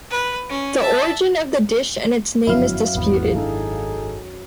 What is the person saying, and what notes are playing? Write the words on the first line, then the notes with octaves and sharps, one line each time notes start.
The origin of the dish and its name is disputed.
B4
C#4
E5 A5
G1 F#2 F3 B3 E4 F5
G#1 E2 B3
G#1 D4 D#4 G#4 A4